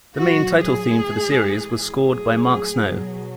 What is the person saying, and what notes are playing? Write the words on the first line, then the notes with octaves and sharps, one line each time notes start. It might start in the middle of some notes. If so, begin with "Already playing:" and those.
The main title theme for the series was scored by Mark Snow.
A#2 F#3 F#4
G#4
A2 E3 G#3
A2 F#3 G#4
B2 F#3